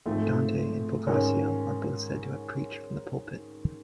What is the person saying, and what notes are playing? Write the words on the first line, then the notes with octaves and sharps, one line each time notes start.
Dante and Boccaccio are both said to have preached from the pulpit.
G#2 F3 A3 C4
G#2 D#3 G#3 C#4 F#4